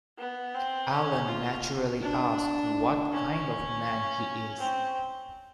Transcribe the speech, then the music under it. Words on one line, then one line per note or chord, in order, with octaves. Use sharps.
Allan naturally asks what kind of man he is.
B3
C4
C#4
F4
D4
C#4
C4